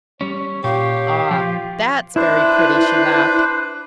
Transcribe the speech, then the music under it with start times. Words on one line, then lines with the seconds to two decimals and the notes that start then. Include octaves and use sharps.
"Ah, that's very pretty!" she laughed.
0.21 G3 C#4 C#5
0.64 A#2 G4 C#5 F5
1.31 F3 F4 G4
2.16 D4 E4 B4 C5